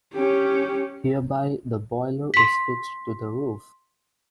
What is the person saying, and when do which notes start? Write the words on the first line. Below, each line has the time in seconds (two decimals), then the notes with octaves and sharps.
Hereby the boiler is fixed to the roof.
0.14 C#4 G4
2.34 C6 B6